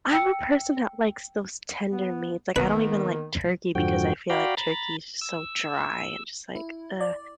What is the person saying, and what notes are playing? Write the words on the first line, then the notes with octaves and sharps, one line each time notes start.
I'm a person that likes those tender meats, like, I don't even like turkey because I feel like turkey's so dry and just like, ugh,
G5 E6 C#7
B3
D#3 A#3 B3 A#4 B4
F2 G#2 D3 F3 F#4 G5
F#4 D5 F5 G5 A#5 B5
A#5 B5 A6
E6
E4
D5